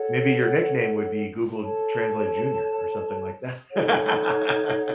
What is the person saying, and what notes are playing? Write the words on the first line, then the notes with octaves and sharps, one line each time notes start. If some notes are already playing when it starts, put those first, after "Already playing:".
Maybe your nickname would be Google Translate junior or something like that.
Already playing: A4 C#5 F#5
A4 C#5 A5
D#4 A4 C#5 F#5